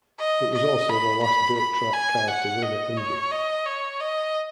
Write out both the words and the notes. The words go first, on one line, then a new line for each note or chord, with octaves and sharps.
It was also the last dirt track car to win at Indy.
D#5
D#5
B5
B5
B5
G#5
F#5
D#5
C#5
D#5
C#5
D#5